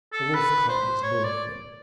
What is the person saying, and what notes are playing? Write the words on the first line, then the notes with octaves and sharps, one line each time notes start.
A wolf cub is born to them.
A4
B4
C5
C#5
D5